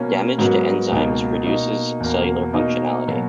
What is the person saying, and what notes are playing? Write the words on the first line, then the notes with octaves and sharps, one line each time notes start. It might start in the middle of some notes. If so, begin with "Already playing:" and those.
Damage to enzymes reduces cellular functionality.
Already playing: B2 A#3 C#4
G#2 F#3 B3 F#4 A#4
C#2 B2 A#3 D#4
B2 A#3 D#4
E2 B2 A#3
B2 A#3 D#4 A#4
B2 F#3 A#3